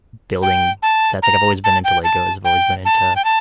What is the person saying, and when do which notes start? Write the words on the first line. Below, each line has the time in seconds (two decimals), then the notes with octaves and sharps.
building sets, like, I've always been into Legos. I've always been into,
0.42 G5
0.83 A5
1.23 A#5
1.64 A5
1.84 G5
2.04 A5
2.45 G5
2.85 A5
3.16 G5
3.25 A5